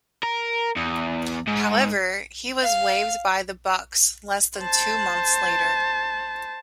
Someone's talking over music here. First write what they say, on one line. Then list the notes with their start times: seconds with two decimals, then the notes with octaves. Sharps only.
However, he was waived by the Bucks less than two months later.
0.23 A#4
0.77 E2
1.47 G#2
2.62 F5
4.60 C5 A5